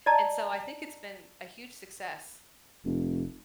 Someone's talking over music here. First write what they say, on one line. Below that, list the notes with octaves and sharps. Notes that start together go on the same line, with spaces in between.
and so I think it's been a huge success.
D5 D#5 A5 A#5
F1